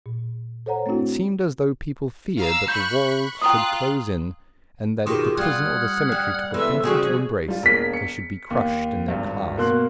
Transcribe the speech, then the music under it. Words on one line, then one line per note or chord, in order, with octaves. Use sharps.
It seemed as though people feared that the walls should close in, and that if the prison or the cemetery took a fancy to embrace, they should be crushed in their clasp.
A#2
A4 C5 C#5 F#5 A#5
A3 C4 D4 E4 F#4
F5 A#5 E6
B5 C#6 F#6 G6
F4 G5 A#5 D#6 F#6
B2 D#3 F4 G4 G#4
G3 F4 F#5 D#6 F6 G#6
G3
C3 E3 G#3 B3 A4 E5
C#3 F3 G3 F#4 G#4
G3 F4
E1 A#3 B6
C#7
D#2
G#1 G2
B2 A#3 F#4 C6 F#6